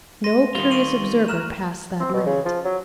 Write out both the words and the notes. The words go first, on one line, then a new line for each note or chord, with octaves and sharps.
No curious observer passed that limit.
C6 A#6 D#7
D#3 G3 F4
C#6 D#7 F#7
A#5 F6 F#6 E7
C4
B2
C#3
F3
F#3